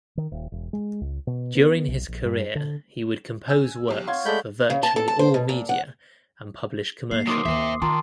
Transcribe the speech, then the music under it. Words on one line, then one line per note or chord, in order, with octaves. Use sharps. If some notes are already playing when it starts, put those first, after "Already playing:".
During his career he would compose works for virtually all media and publish commercially.
D#3
D#1
E1
G#3
C#2
B2
B3
B1
A#1
G2
D3
G#5 E6
B1 G4
C#5 F5 F#5 C6 G#6
G#3 A3 A4 D5 B5 G6
C#3
A5
A4
A5
C5
B2
A#2
F#5
A#3 C7
F#3 D#4 A#4 C6 D6 D#6 C7
D#2 C5 E5
D#3 F4 A5 A#5 C6